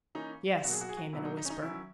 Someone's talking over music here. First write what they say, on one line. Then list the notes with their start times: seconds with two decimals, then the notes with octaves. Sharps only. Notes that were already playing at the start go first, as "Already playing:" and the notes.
"Yes," came in a whisper.
0.15 E3 A#3 C#4 D#4
0.64 B2 F#3 A#3 F#4
0.72 G#4
0.81 F#4
0.89 G#4
0.97 F#4
1.13 B2 F#3 A#3 E4
1.25 D#4
1.37 D#4
1.45 C#4
1.50 D#4
1.62 D#3 F#3 C#4 E4